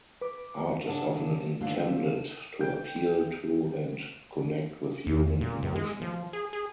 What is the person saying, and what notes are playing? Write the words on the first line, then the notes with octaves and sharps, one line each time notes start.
Art is often intended to appeal to and connect with human emotion.
B4 D6
C#3 D4 F#5 A5
D#2 D3 A3 D4 F4
G5
E2
A#2
F#2
G#3
F3
G#4
G#4